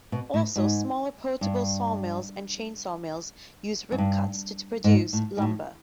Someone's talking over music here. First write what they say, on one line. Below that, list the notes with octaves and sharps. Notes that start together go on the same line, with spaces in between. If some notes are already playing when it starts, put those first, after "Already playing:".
Also, smaller portable sawmills and chainsaw mills use rip-cuts to produce lumber.
B2
A2
G#2
G2
F#2
G2
G#2
A2
G#2
A2